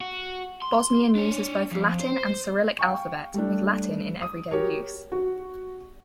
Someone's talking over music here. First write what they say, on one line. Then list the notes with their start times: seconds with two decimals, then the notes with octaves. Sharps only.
Bosnian uses both Latin and Cyrillic alphabet, with Latin in everyday use.
0.01 F#4
0.62 C6
1.16 D4 C#5
1.72 F2
2.01 C5
2.79 F5 G5 C#6
3.34 G3 A3 D4
4.22 D#6
4.51 F#4 G4 A#4 C#5
5.12 F#4